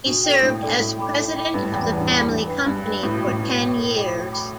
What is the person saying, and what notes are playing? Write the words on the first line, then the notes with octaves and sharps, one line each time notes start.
He served as president of the family company for ten years.
B2 D4
A4 D5 G5
A2 D4
A4 D5 G5
A2 A4
G5 B5 D6
A4
G5 B5 D6
G2 B4
A2
E2 G5 B5 D6
G2
E2 B4
G2
E2 G5 B5 D6
G2
D4
B4 G5 B5
G2 D4
B4 G5 B5
A2 B4
B2
G5 D6
A2
B2 B4
G5 D6
A4
G5 B5 D6
A4
G5 B5 D6